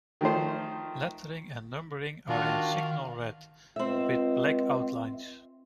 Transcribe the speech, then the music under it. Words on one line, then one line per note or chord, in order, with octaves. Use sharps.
Lettering and numbering are in "Signal Red", with black outlines.
D#3 F3 A3 C5
D#3 D4 F4 F#4 A#4 F5
C#2 C4 E5